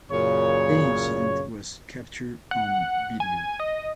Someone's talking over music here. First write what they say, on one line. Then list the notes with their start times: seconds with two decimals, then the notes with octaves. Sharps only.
The incident was captured on video.
0.11 F#2 A#2 C#3 C#5
2.51 F#5
3.20 G#5
3.60 D#5